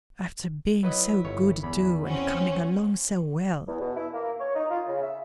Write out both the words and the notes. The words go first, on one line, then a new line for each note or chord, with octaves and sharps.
'After being so good too, and coming along so well!
F#3 E4 B4 D#5
G1 C#5
E2 B5
C4 C#4 F#4
E2
B2
E4
A#3
C#5
D#4
F4
C#3
E5